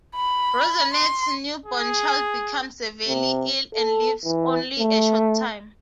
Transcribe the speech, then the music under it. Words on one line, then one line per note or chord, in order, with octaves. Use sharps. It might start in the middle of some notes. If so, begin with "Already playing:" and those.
Rosanette's newborn child becomes severely ill and lives only a short time.
B5
C6
G#4
C3
A4
E3
A3